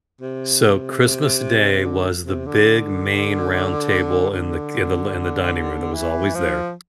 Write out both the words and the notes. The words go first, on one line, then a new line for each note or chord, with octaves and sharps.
so, Christmas Day was the big, main roundtable in the k in the l in the dining room- that was always there-
C3
D3
C3
D3
D3
E3
F3